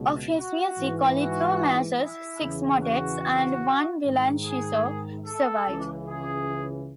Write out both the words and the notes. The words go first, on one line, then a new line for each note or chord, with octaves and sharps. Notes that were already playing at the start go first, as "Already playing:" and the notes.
Of his music only two masses, six motets and one villancico survive.
Already playing: C#2 B2
F#4
G#2 E3
F#4
E4
E2 C#3 E3
F#4
G#2 D#3
G#4
A4
C#2 C#3 E3
G#4